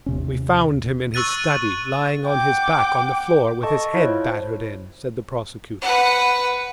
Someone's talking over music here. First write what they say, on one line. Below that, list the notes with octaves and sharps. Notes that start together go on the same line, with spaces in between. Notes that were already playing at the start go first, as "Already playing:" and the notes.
"We found him in his study, lying on his back on the floor, with his head battered in," said the prosecutor.
D#2 C3 C#4
C#6 E6 F#6 A6 D#7
F#5 G5 D6
A4 D#5 A5 C#6
E4 F4 C5 C#5
B4 F#5